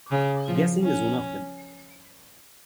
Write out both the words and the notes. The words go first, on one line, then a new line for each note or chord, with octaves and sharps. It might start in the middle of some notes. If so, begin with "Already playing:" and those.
Guessing is one of them.
C#3
F3
C#4